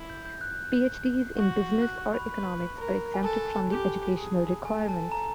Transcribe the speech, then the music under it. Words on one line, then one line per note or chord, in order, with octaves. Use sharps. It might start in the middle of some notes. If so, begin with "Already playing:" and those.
PhDs in business or economics are exempted from the educational requirements.
Already playing: E4
G6
G6
F#6
F#4
F#6
C#6
B5
B4
A#4
G#5
A4 A5
G4
G#4
A4 G#5
A5
A#5